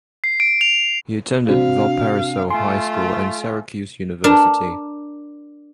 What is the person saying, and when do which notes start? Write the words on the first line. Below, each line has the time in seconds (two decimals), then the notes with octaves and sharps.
He attended Valparaiso High School and Syracuse University.
0.24 C7
0.40 D7
0.61 F7
1.48 C3 C4 D4 F#4 F5
2.50 A3 F4 G#5 C6
4.24 D4 A#4